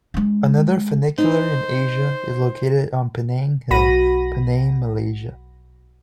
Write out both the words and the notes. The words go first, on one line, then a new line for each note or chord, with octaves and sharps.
Another funicular in Asia is located on Penang Hill, Penang, Malaysia.
G#3 D4
D#4 C5
B1 F#4 B5 A#6 D#7